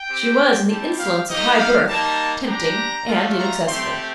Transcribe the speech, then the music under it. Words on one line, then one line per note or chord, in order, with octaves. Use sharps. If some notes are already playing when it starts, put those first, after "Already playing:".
She was, in the insolence of high birth, tempting and inaccessible.
Already playing: G5
C4 G4
G3 C4 G4 A5
F5
A#3 D#4 G4 D#5
F5
G3 A#3 D#4 A5
G3 D4 G4 A#5
A3 D4 F4
A#5
A3 C4 G4 C6